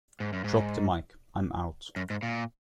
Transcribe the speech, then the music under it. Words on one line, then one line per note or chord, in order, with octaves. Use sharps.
Drop the Mic, I'm out.
G#2
F#2
G#2
F#2
G#2
A#2